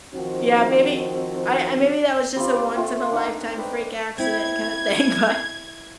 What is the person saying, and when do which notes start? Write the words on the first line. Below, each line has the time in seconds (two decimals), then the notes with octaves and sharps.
Yeah, maybe I I maybe that was just a once in a lifetime freak accident kind of thing, but
0.14 D#3 F3 C4 D#4 F#4
2.36 G3 C4 D4 F4
2.55 F4 D5
2.76 A3 F4 G5
3.12 D4 D#4 F#5
3.58 B4 D5 G5
4.18 C4 E4 G#6